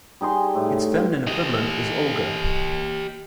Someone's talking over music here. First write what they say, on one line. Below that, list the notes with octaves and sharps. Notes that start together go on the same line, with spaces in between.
Its feminine equivalent is Olga.
G3 D#4 G#4 C6
A2
G4 D#5